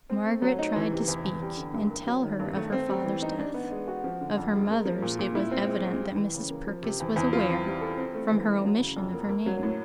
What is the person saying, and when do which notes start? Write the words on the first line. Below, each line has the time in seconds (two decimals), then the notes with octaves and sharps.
Margaret tried to speak and tell her of her father's death; of her mother's it was evident that Mrs. Purkis was aware, from her omission of her name.
0.10 C4
0.26 A3
0.42 F#3
0.59 D#4
0.76 E3
0.91 C3
1.08 E2
1.24 E2
1.42 G3
1.57 D3
1.74 G2
1.90 A#3
2.07 F#3
2.23 D#3
2.40 G2
2.56 A3
2.72 C4
2.89 G3
3.05 E3
3.22 D#4
3.39 D4
3.54 B3
3.71 G#3
3.88 F#4
4.04 F3
4.21 D3
4.37 F2
4.53 G#3
4.70 A#3
4.85 F3
5.02 A#2
5.19 A#2
5.35 E4
5.51 C4
5.68 G#3
5.85 G#3
6.01 G3
6.17 E3
6.34 C#3
6.50 A#3
6.67 F3
6.83 C3
7.00 E2
7.16 E2
7.33 F4
7.49 C4
7.66 G3
7.81 A4
7.98 C4
8.15 A3
8.31 E3
8.47 E4
8.64 F#3
8.80 C#3
8.97 F2
9.13 A#3
9.29 A#3
9.46 F#3
9.63 A2